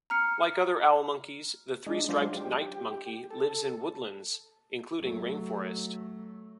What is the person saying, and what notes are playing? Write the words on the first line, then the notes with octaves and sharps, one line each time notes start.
Like other owl monkeys, the three-striped night monkey lives in woodlands including rain forest.
A#5 F6 C#7
G#3 D4 D#4
F#3 G#3 D4 F4 C5
G4
A4
F#3 A3